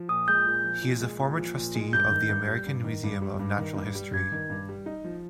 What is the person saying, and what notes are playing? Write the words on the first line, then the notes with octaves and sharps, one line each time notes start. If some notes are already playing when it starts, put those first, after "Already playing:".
He is a former trustee of the American Museum of Natural History.
Already playing: F3
A#2 D#6
G#3 G6
A#2
F3
A#2
G#3
A#2
F3
A#2
G#3
G2 G6
D#3
G2
G3
G2
D#3
G2
G3
G2
D#3
G2
G3
G2 G#6
D#3
G2
G3
D#4
F3